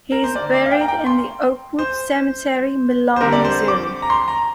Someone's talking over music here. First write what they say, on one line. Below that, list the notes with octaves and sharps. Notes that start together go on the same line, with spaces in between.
He is buried in the Oakwood Cemetery, Milan, Missouri.
A#4
C5
D3 A#3 D5
D5
F5
G5
A#5
G5
C6
C5
C5
D3 G3 C4 A#4
D5
C5
D6
A#5
C6
A#5